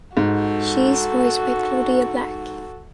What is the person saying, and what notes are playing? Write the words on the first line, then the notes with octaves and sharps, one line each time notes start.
She is voiced by Claudia Black.
G#2 F#4 A4